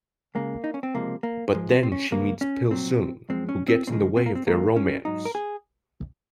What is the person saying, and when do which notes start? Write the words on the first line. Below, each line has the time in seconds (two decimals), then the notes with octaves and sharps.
But then she meets Pil-seung, who gets in the way of their romance.
0.35 C#2 C#3 G#3 A#3
0.64 D#4
0.74 C#4
0.83 C4
0.94 C#2 C3 F3 G#3 A#3
1.23 A#3
1.53 G#2 F3 G#3
1.72 C4
1.83 C4
1.92 C#4
2.11 D#2 C#3 G#3 A#3
2.41 C#4
2.71 C2 A#2 F#3 C4
3.29 F#2 F3 G#3 C4
3.49 C#4
3.68 C4
3.87 D#2 C#3 F3 G#3 C4
4.17 C4
4.26 A#3
4.35 C4
4.46 D#2 D#3 G#3 A#3
4.76 C#4
5.05 G#2 F#3 D#4
5.25 A#4
5.35 G#4